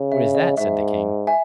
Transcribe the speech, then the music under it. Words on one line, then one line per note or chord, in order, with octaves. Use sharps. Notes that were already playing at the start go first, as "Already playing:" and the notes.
"What is that?" said the king.
Already playing: C#3
E5
D#5
G#2 E5
E5 G#5